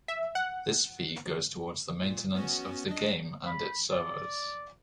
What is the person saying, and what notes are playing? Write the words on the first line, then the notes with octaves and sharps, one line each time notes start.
This fee goes toward the maintenance of the game and its servers.
E5
F#5
A#2
B3 C#4 F#4
D4 D#5
B5
D5